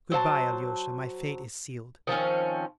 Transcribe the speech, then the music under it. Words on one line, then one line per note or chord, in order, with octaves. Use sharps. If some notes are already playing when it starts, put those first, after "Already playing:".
Good-by, Alyosha, my fate is sealed.
F#3 C5 F5 A5
D#3 F3 C4 C#4